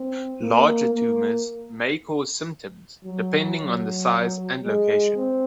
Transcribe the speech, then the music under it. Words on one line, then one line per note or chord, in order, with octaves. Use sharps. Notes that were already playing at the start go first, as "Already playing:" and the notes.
Larger tumors may cause symptoms, depending on the size and location.
Already playing: C4
A#3
A#3
F#3
F#3
G#3
C4